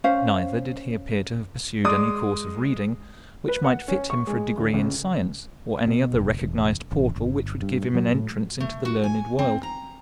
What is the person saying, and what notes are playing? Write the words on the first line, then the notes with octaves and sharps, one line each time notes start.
Neither did he appear to have pursued any course of reading which might fit him for a degree in science or any other recognized portal which would give him an entrance into the learned world.
C#4 C5 F5
G#3 D5 D#6
B4
F#5
C#4
C#6
G#3
D2
C#2
B2
F1
E1
A1
G1
G2
F#3
A2
A3
F#4
G#5
C4
A#5